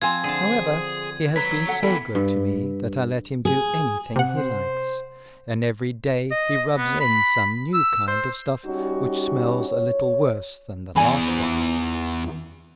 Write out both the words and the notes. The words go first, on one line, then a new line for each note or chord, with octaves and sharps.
However, he has been so good to me, that I let him do any thing he likes, and every day he rubs in some new kind of stuff, which smells a little worse than the last one.
F3 C4 F4 G#5 A5 G#6
D3 G#4 A5
B4 C#5 A#5 B6
F#4 A4 F#5
E3 B3 A4 G5
G2
G#4
C3 F#5
C5
D#5
B3
B5
E6
C5
G3 C#4 D#4 F#4
C#5
E2 D5 G#5 B5
D#4 F4 C5